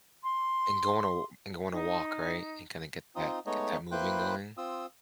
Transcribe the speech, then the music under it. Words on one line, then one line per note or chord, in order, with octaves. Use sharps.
And going to w and going to walk, right? And kinda get that get that moving going?
C6
D#4
C4 D#4 F4 D#6
G#3 A3 B3 D#4 C#5 D#5
A#3 E4 B4 C5 G5 F#6
C4 F4 D#6 E6